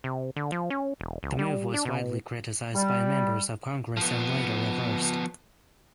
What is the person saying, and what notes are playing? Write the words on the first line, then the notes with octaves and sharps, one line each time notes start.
The move was widely criticized by members of Congress and later reversed.
C3
D3
F3
C#4
E1
C#2
G3
D4
B2
G3
F3 B3